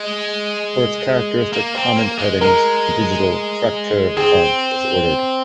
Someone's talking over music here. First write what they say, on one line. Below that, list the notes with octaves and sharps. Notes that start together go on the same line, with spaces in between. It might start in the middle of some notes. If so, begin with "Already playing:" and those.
For its characteristic comment headings, a digital "Fraktur" font was ordered.
Already playing: G#3
A#3
C4
A#3
G#3
G#3 A#4
C4 G#4